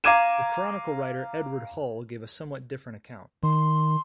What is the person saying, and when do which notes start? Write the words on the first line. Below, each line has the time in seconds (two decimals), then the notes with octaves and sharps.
The chronicle writer Edward Hall gave a somewhat different account.
0.04 F5 A#5 D6 G#6 D#7 E7
3.43 D#3 C6